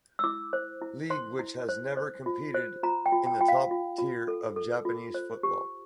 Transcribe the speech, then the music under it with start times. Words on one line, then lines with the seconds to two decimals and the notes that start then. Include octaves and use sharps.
League which has never competed in the top tier of Japanese football.
0.19 E6
0.24 E4 D6
0.53 C5
0.81 E4
1.10 C5 C6
1.39 E4
1.69 C5
1.97 C5
2.26 F4
2.55 C5
2.83 F4 A#5
3.06 G5
3.12 F4
3.27 G5
3.41 F4 G5
3.48 F5
3.71 F4
3.98 F4
4.28 A4
4.56 A4
4.85 F4
5.14 C5
5.43 G4